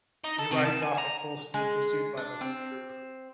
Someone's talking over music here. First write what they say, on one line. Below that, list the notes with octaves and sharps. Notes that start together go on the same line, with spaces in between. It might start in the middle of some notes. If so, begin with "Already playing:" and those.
He rides off at full speed pursued by the whole troop.
D#4
A4
C3
A5
G#5
A#5
G#3
D4
C4